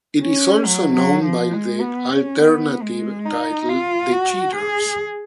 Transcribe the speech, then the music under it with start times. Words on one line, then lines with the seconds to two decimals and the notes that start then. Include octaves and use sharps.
It is also known by the alternative title The Cheaters.
0.23 C#4
0.66 F#3
0.95 F#3
1.24 F3
1.53 G#3
1.81 B3
2.11 C#4
2.39 B3
2.83 G#3
3.25 D#4
3.69 F4
4.13 F#4
4.55 G#4